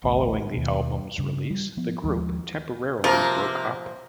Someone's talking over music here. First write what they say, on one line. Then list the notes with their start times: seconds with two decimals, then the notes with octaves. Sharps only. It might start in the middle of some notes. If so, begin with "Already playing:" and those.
Following the album's release, the group temporarily broke up.
0.04 A1 D2
0.54 D#2 B2
1.18 G2 C#3
1.50 G3
1.77 F3 B3
2.04 D#2 F3 G#3
3.04 C3 F3 A#3 A#4